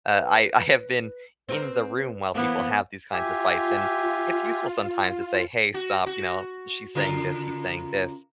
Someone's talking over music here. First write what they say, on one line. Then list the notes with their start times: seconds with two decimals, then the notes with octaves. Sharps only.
Uh, I I have been in the room while people have these kinds of fights, and it's useful sometimes to say, "Hey, stop." You know, "She's saying this. He's saying this.
0.11 B4
0.58 B4
1.49 C4 A#4 B4
2.35 E3 A#3 B3 C5
3.13 F4 G4 E5 G#5
5.74 F#4
6.06 F#4
6.95 C#3 F4 A#4